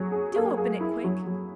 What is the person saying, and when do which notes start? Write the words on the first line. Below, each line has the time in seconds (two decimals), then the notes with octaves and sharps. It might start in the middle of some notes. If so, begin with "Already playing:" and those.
Do open it quick.
Already playing: F#3 G#4
0.12 G#4
0.36 A#3
0.57 G#4
0.80 E4
1.04 F#3
1.27 F#3